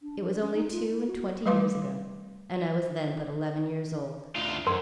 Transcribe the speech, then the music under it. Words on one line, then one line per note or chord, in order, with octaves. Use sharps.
It was only two-and-twenty years ago, and I was then but eleven years old.
D4
F3
C#4
D#4
F4
E4
F#4
G3 A3 B4 F5 C6 D6
D2 F4
F#2 A#4 C6